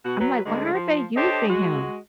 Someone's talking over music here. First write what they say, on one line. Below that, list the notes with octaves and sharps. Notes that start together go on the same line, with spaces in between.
I'm like, "Why aren't they using him?"
B2 F#4 F#5
F#3 B4
D2 G#3
F3
D4 G4 A4 C5 C#5 D#5
G#3 F#4